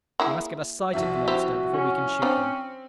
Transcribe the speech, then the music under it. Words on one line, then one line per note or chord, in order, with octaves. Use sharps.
We must get a sight at the monster before we can shoot him.
A#3 E4 G#4
C2 F3 F#4 E5
C4 E4 G4
C#4
F3 C4 D4 G5